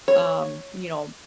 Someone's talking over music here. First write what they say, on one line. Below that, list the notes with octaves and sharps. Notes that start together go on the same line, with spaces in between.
um, you know,
C#5